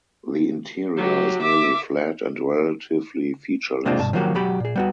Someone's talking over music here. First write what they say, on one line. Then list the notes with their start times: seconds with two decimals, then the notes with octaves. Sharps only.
The interior is nearly flat and relatively featureless.
0.97 F#3 G4
1.42 E5 D6
3.85 C3 G#3 A#3 C4 D4 F4
4.00 G2 B2 A5
4.13 D#3 F3 F#3 A#3 F#4 G4
4.34 B1 F#3 F#4 G4 B5
4.60 A#2 G#4
4.76 G3 B3 F#4